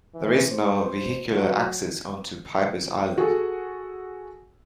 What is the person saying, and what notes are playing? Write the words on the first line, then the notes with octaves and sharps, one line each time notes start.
There is no vehicular access onto Pipers Island.
E3
C5
F#3
F#4 G#4 A4